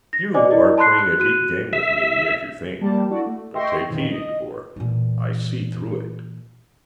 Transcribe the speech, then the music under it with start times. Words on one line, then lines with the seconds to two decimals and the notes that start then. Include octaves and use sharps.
"You are playing a deep game with me, as you think; but take heed, for I see through it."
0.13 A#6
0.34 C5 D5 D#5 G#5 D6
0.51 E4 D5 D#5
0.78 A5 B5 C6 F#6 C7
0.99 F#6
1.18 F#4 F#6 D#7
1.73 E5
2.81 F3 G3 A#3 A5
3.10 D4 E4 F#4 A4 D5
3.26 A3
3.54 D#5 E5 G5 C6 C#6 A#6
3.88 F2 A#2 D#3 E3
4.11 D#5
4.76 A#2 E3